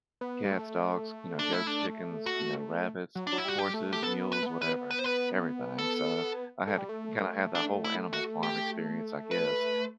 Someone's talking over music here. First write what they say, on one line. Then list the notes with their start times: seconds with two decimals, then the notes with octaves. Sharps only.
cats, dogs, you know, goats, chickens, you know, rabbits, horses, mules, whatever, everything. So, I had to kinda have that whole animal farm experience, I guess.
0.21 B3
0.44 G3
0.51 A3
1.39 D4
1.53 E4
1.67 D4
2.26 F#4
3.15 F#3
3.27 D4
3.32 F#3
3.38 E4
3.45 G3 F#4
3.59 G4
3.74 A3
3.93 G4
4.03 B3 A4
4.33 B4
4.42 A3
4.46 B3
4.62 B4
4.91 B4
4.99 C5
5.06 B4
5.78 A4
6.67 A3
6.78 G3
6.89 A3
7.55 D4
7.84 E4
8.13 F#4
8.43 G4
9.31 B4